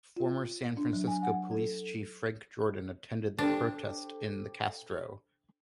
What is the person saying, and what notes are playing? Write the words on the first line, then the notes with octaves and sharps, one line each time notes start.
Former San Francisco police chief Frank Jordan attended the protest in the Castro.
F4
D4
F#3
G#5
F#5
A4
D4 G4 A4 C5